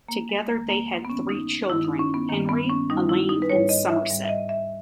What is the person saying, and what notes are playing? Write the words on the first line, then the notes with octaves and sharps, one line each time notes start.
Together they had three children, Henry, Elaine and Somerset.
A#3
G#3
E2 D#3 G3 A#3
A#3
B3
G2 D#3 G#3 C#4
D#4
G2 D#3 G#3 E4
D#4
C#4
B3
G2 D#3 G3 A#3
B3
C#4
G2 D#3 G3 D#4
E4
D#4
B4
G#2 G3 C#5
D#5
E5
G#2 G3
E5
D#5
E5